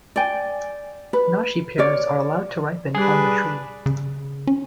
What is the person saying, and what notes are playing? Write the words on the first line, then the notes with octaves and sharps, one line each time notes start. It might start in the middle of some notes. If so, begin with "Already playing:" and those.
Nashi pears are allowed to ripen on the tree.
D5 G5 G#5
B4
A#4 C#5 D5
G3 D4 G#4 B4
C#3
C#4